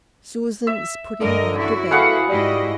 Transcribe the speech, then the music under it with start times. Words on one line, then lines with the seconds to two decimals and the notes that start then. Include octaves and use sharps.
"Susan is putting her to bed."
0.67 E5
1.21 G2 D3 A#4 D#5
1.55 F#2 E4 F#4
1.91 A3 G#4 B4 F5 F#5 C#6 D6
2.29 G#2 G3 E4 D#5